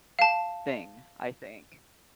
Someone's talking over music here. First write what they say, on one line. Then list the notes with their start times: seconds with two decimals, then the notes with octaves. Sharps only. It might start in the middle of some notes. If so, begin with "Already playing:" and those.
thing, I think.
0.19 F5 A5